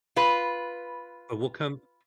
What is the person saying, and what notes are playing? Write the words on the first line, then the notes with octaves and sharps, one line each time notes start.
and we'll come
F4 B4